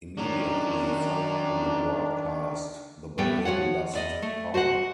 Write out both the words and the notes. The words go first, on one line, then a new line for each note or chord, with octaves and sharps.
Immediately following the broadcast, the building lost power.
D#3 F#3 C#4 D4 A#5
A2 E3 G3 A3 B3 G5
F3 F#4 C#5 F#5
E2 D5 D#5
A3
F#4 C5 D#5 F#5